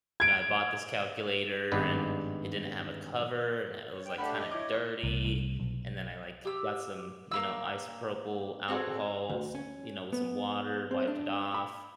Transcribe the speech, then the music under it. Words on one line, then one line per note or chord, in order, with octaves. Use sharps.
you know I bought this calculator, and it didn't have a cover, and it was, like, kinda dirty, and then I, like, got some, you know, isopropyl alcohols, you know, with some water, wiped it off,
G#6 D7
G#1 G2 G#3 B3 B4 D5
C#5
G5
A3 D4 G4 F#5 B5
D#5
E4 C#5 D6
C2
C2
B1
G4 E6
A#3 E4 E6
C4 F#4 G#4 A4
D2
C#4
B3
C4
D4
B5